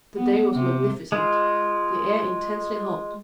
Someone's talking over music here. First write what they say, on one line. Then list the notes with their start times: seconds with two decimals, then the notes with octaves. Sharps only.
The day was magnificent; the air intensely hot.
0.17 B3
0.54 C3
1.12 G#3 F4